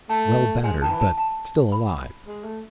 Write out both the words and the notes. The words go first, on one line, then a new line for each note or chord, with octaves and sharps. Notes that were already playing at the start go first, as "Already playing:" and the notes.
Well battered, but still alive.
A3 A5
G#3 G#5
D#3 A5
E3
A5
A5
B5
G#3
A3